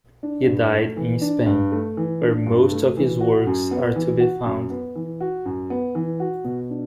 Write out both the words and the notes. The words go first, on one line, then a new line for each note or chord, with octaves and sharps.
He died in Spain, where most of his works are to be found.
D4
G2
A3
E3
D4
G2
A3
E3
D4
G2
A3
E3
F#4
F#2
B3
E3
F#4
F#2
B3
E3
F#4
F#2
B3
E3
F#4
B2
D4